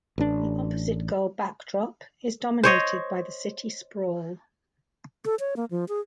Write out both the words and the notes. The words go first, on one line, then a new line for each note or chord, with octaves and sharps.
The opposite goal backdrop is dominated by the city sprawl.
A1 D4
C5 C#5 D#5
A4
C#5
A#3
F3
G#4